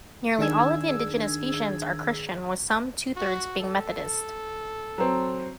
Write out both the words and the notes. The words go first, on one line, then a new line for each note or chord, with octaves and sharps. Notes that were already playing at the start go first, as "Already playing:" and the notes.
Nearly all of the indigenous Fijians are Christian, with some two-thirds being Methodist.
D#3 D4 G#4 E6 G#6
F#4
A4
F#3 C4